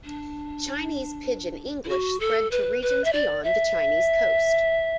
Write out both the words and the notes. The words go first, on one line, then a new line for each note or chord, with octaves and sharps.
Chinese Pidgin English spread to regions beyond the Chinese Coast.
D4
E4
F#4
A4
B4
B4
E5
D5
E5